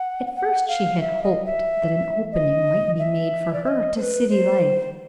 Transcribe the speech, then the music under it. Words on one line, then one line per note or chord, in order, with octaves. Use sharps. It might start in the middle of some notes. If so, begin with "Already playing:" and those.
At first, she had hoped that an opening might be made for her to city life.
Already playing: F#5
F#5
F5
E5
D#5
E5
D#5
E5
D5
E5
D#5
C5
B4
C5